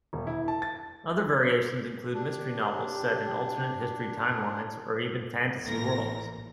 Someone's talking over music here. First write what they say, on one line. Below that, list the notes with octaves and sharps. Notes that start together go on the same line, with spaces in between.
Other variations include mystery novels set in alternate history timelines or even fantasy worlds.
E1
E4
A5
A6
D4 G4
A1 A#2 E3 A3 A#4 A#6